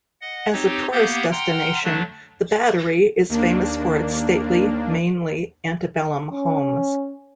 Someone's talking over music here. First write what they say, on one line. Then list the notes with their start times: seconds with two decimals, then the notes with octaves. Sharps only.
As a tourist destination, the Battery is famous for its stately, mainly antebellum homes.
0.21 D#5 F#5
0.52 C4 D#4 G4 C#5
0.92 A#3 B3 G4 F#5 G6
1.31 F#5 G5 A#5 C6 F6
1.84 D3 F#3 A3 D4
3.29 D#2 A#3 D4
6.32 C#4